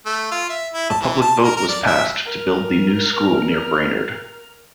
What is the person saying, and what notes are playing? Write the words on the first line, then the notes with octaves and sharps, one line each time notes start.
A public vote was passed to build the new school near Brainerd.
A3
F4
E5
E4
A5
E3
A5
A#4
A#4
D5
E5
A#4 F6